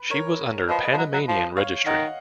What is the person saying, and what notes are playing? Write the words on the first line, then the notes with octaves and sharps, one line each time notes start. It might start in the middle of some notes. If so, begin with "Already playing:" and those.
She was under Panamanian registry.
Already playing: B4
A#4 C#5
F3 B4 D#5
B4 D#5
F3
F#3
F#3
F3
C#5 F5
D#3 D#5 F#5